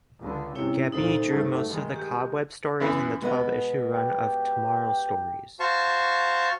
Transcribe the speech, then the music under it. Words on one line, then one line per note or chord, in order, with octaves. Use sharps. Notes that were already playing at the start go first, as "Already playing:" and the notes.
Gebbie drew most of the Cobweb stories in the twelve-issue run of "Tomorrow Stories".
C#2 D3
G#2 C3 C#4 E4 C#5
D2 A#2 D#4 A4 C5
G2 F#3 A3
D#3 G#3
G4
F#2 E3 B3
B2 G#3 B3 D#5
G4
F#4 C5 F5 A5 C#6